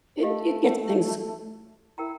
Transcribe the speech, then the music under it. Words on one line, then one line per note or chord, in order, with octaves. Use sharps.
it it gets things
A3 G4 D#5 F5
E4 A#4 G5 A#5